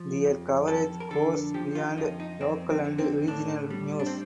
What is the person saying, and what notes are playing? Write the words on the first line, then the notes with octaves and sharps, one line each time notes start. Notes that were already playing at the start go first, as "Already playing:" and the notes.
Their coverage goes beyond local and regional news.
Already playing: F3
F2
F2 A4
A#4
D3 A4
F3 G4
F4
F2 D#4
D#4
F2 C4
C4
D3
C4
A2 D4
G3
D4
C4